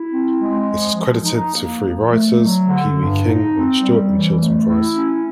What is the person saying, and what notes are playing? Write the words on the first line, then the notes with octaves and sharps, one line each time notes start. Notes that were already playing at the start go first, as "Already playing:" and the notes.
It is credited to three writers: Pee Wee King, Redd Stewart, and Chilton Price.
Already playing: E4
C4
G#3
F3
F3
D#4
A#3
F3
A3
F#3
D3
G2
D#4
C4
G3
E3
A3
E4
C#4